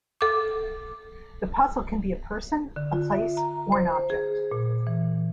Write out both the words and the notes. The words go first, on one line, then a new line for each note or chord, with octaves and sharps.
The puzzle can be a person, a place or an object.
A4 D6
D3
F4
E5
A#5
C5
G#4
A#2
E3